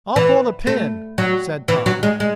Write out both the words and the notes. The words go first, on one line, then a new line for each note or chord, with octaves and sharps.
"I'll pull the pin," said Tom.
E3
A3
F#3
E3
F#3
G#3
G#3